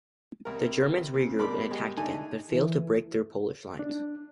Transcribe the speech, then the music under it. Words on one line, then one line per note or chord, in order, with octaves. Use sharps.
The Germans regrouped and attacked again, but failed to break through Polish lines.
C2 A#4
C#3 C4
B2 G3 A#4 B5 C6 D6
G#3 G4
A3 D4 D#4 G#5
E3
D4